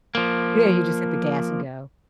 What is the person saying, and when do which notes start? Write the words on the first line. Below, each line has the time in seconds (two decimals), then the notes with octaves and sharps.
Yeah, you just hit the gas and go.
0.15 F3 A#3